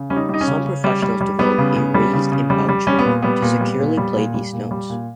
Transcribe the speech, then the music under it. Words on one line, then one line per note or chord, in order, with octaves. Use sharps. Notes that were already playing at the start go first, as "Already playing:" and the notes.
Some professionals develop a "raised embouchure" to securely play these notes.
Already playing: C#3
G3 C#4
D#4
G3 D#4
C#4
C#3
C#3
G3
G3
G3
G3 B3
C#3
C#3
G3
C#3
C#3
G3
G3
G3 C#4
B3
A#2
G3 B3
A#2
G3
A#2
G3
A#2
G3
A#2
G3
A#2